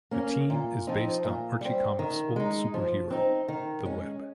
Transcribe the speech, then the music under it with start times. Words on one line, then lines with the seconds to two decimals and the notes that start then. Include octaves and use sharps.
The team is based on Archie Comics old superhero, The Web.
0.11 A#3 C#4
0.50 A#2
0.87 F3 C4 D#4
1.24 A#2
1.61 G3 C4
1.99 D#3
2.36 G#3 D#4
2.74 F3
3.10 C4 D#4
3.48 D#3
3.85 G#3 C#4